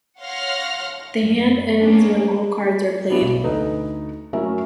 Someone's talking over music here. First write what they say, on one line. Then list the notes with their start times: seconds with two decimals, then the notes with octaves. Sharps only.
The hand ends when all cards are played.
0.19 C#5 F5 F#5 C6 F6 A#6
1.20 F#2
1.80 A#3 B3 C#4 D4
3.10 G3 B3 D4 E4 F#4
3.21 B1
3.44 D2 D#4 A4 B4
4.33 F#3 A3 C#4 E4 A#4 E5